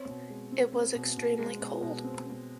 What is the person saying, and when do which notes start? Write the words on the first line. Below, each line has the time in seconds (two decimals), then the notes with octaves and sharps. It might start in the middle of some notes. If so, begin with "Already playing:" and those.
It was extremely cold.
Already playing: C4 C#5
0.08 B2
0.30 G#3
0.52 C4
0.73 C4
0.95 B2
1.17 B2
1.39 G#3
1.61 B2
1.82 B2
2.04 C4
2.26 C4